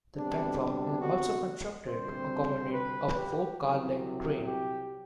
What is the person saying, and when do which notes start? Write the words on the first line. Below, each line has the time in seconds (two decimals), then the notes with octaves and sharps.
The platform is also constructed to accommodate a four-car-length train.
0.17 D2 C3 G3 B3 D4
0.59 D4
1.01 F#4
1.88 D2 C3 G3 C4 C5
2.74 B4
3.16 G4
3.59 C2 C3 F#3
4.45 G4